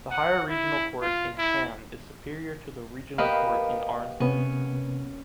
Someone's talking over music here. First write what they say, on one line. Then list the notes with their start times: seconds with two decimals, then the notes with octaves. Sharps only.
The Higher Regional Court in Hamm is superior to the Reginal Court in Arnsberg.
0.11 F#5
0.49 E4
1.02 F4
1.38 E4
3.18 A#3 B3 G4 D#5 F5
4.20 C3 B3 C#4